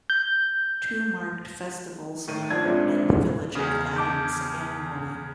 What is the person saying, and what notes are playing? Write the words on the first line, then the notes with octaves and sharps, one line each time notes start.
Two marked festivals occur in the village of Adams annually.
G6
A2 D#3 D#7
D4 F4 F#5 E6 G#6
A#1 G#2 G#3 C4 F4 C#5 D5 E5
E2 C#3
A5 D6 G6